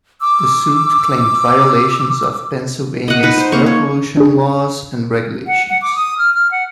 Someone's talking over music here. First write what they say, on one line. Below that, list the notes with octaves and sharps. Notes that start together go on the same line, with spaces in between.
The suit claimed violations of Pennsylvania's air pollution laws and regulations.
D6 E6
D#5 F#5
D#4 B4
C5
A#3 C#6
C#5
D4 G#4
F#5
F#5
D6
D#6
F6
F6
F#5